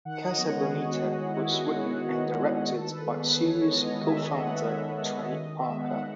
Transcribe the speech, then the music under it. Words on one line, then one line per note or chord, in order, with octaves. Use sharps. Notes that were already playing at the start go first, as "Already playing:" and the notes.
"Casa Bonita" was written and directed by series co-founder Trey Parker.
D#3 F#5
D#5
G#3 B3 C#5
G#4
D#3 F#4
G#3 B3 F#4
E4
F#4
D#3 E4
F#4
G#3 B3
F#4
D#3
G#3 B3
D#3 A4
B4
G#3 B3 G#4
B4
D#3 C#5
C#5
G#3 B3 D#5
D#3 E5
D#5
G#3 B3 F#5
E5
D#3 D#5
G#3 B3 D#5
C#5
D#3 D#5
E5
G#3 B3
F#5